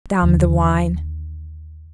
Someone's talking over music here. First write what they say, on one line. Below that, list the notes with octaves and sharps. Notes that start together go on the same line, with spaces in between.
Damn the wine!
D#2 D3